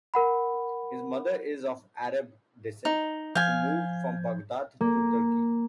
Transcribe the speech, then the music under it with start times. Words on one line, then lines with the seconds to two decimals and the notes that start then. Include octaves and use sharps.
His mother is of Arab descent who moved from Baghdad to Turkey.
0.14 A#4 F#5 B5
2.85 D#4
3.35 F3 F5 G#5 G6 G#6
4.81 A#3